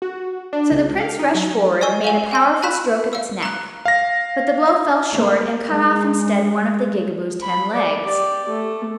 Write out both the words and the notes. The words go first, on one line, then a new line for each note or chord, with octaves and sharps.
So the Prince rushed forward and made a powerful stroke at its neck; but the blow fell short, and cut off, instead, one of the Gigaboo's ten legs.
F#4
D4
C#2
F5
D#4
F#3
D5 D#5 G#5 C#6 E6
F5 G#5
G5 G#5 C6
A5 B5 F#6 B6 E7
F5 E6
A#5 F#6
F5 A#6
A#3
G#3
B5
D5
G4 D5
A3